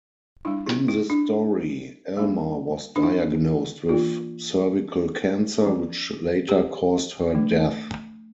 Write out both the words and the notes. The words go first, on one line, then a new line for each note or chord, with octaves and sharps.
In the story, Alma was diagnosed with cervical cancer which later caused her death.
G3 D4 E4
E4
E4
D4
G3 A#3 D4
D4
E4
E3 A#3 D4 F4
F3 C#4
G4
F3 A3 D4